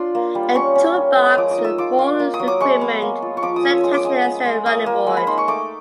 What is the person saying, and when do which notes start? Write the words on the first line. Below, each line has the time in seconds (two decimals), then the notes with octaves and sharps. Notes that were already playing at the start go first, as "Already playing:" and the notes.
A toolbox with full equipment was attached to the exterior running board.
Already playing: D4 F4 C6
0.15 A#3
0.35 G3
0.55 C#4 C#6
0.75 C#4
0.96 C#4
1.16 G#3
1.27 D#6
1.37 F3 D6
1.51 D#6
1.58 D#4
1.65 E6
1.78 F4 D6
1.98 F4
2.19 A#3
2.34 D#6
2.40 F#3
2.48 D6
2.60 G#3 C#6
2.81 B3
3.02 A#3
3.22 F4
3.37 C#6
3.42 F3 D6
3.56 D#6
3.63 C#4
3.71 E6
3.84 G#3 D#6
3.94 D6
4.05 G#3 D#6
4.24 G#3
4.45 G#3
4.66 A#3 D#6
4.86 A#3
5.07 G#3
5.17 B5
5.27 D#4 C6
5.38 C#6
5.48 A3 D6